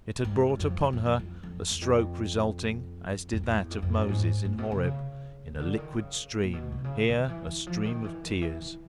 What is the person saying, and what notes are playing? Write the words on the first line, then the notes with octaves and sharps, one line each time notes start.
It had brought upon her a stroke resulting, as did that of Moses in Horeb, in a liquid stream--here a stream of tears.
G#2
G2
F#2
F#2
F2
F2
F2
F2
F2
F2
E2
F2
F2
F2
E2
F2
F2
F#2
G#2
A2
B2
C3
C#3
C#3
D3
D#3
C#3
A#2
B2
C3
C#3
D#3
E3
E3
F3
D3
D#3
E3
D#3
E3
E3